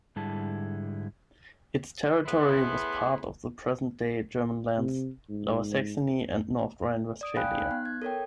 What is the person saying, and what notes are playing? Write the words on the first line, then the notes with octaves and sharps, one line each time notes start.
Its territory was part of the present-day German lands Lower Saxony and North Rhine-Westphalia.
G#2 D3 G3 E4 G#4 A5
A2 B3 E4 G#4 C6
C3
G#2
D5 D#6 D7
D5 F5 G5 G#5 B5 F#6
D#4 F#6
B3
G#6
A4 A#4 C#5 G5